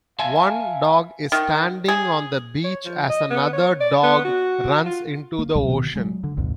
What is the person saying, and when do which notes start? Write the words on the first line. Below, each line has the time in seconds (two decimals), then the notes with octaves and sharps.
One dog is standing on the beach as another dog runs into the ocean.
0.19 E5 F5 G#5 A5
1.32 D#3
1.88 G#4
2.64 C#5
2.85 F3
3.10 D#5
3.30 B3
3.53 C#5
3.81 D5
4.03 B3
4.25 F#4
4.86 F4
5.39 A#3
5.55 C#2 B2 F#3 G3
5.68 B2 D3 D#3 B3
5.96 F#3 G#3
6.24 D3
6.37 A#1 D#2 G#2 C3